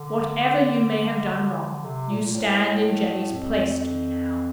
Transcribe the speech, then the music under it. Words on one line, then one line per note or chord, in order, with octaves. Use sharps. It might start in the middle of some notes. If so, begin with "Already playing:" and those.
Whatever you may have done wrong, you stand in Jenny's place to me now.
Already playing: D3
C3
A#2
A#2
A2
F2